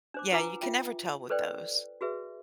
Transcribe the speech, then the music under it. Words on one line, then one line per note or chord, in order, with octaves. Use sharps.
yeah, you can never tell with those,
D4 C5 D6
F4 B4 F#5 G#5 A#5 D6
F4 E5 G5
A4 B4 C5 D5 G5
F#4 G#4 B4 E5